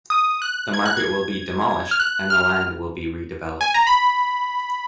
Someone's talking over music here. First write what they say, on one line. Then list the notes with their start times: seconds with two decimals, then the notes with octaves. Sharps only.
The market will be demolished and the land will be redeveloped.
0.10 D#6
0.42 F#6
0.74 G#6
0.86 F#6
0.97 G#6
1.91 F6
2.00 F#6
2.30 F6
3.61 G#5
3.74 A#5
3.87 B5